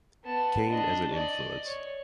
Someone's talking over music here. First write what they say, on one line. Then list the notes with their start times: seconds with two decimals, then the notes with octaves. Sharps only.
Kane as an influence.
0.25 B3 A5
0.70 D4 D#5
1.13 D5 D#5
1.66 C#5